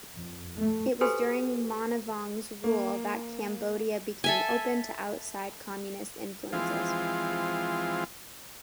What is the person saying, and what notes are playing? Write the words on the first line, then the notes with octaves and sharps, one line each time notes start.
It was during Monivong's rule that Cambodia became open to outside communist influences.
F2
A3
F#4 G4 A4 B4 C5 G#5
A#3
A4 E5 G#5
E3 F3 G#3 C4 F4